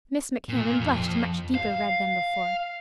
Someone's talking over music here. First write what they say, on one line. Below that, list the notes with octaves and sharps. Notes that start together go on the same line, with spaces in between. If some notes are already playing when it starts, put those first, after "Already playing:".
Miss Macmahon blushed a much deeper red than before.
A#2
F2
F5